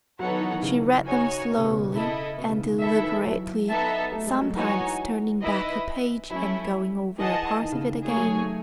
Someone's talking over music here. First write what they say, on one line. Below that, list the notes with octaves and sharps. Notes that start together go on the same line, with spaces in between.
She read them slowly and deliberately, sometimes turning back a page and going over a part of it again.
F#3 B3 D#4 A4 C#5 F#5
D#3
E3
D#3
C#3
D#4 F#4 C#5 G#5
B2
C#3
B2
C#3
B2
C#3 E4 A4 D#5
B2
C#3
D#3
D#3
D#3 E4 A4 E5
D#3
E3
F#3
B3 D#4 A4 E5 A5
A3
G#3
F#3
E3 D#4 F#4 C#5 G#5
D#3 E4 B4 D#5
F#3 A3 C#4 E4
E3 G#4 D#5 F#5 A5
D#3
C#3
D#3
A3 G#4 C#5 G#5
F#3
D#3
A3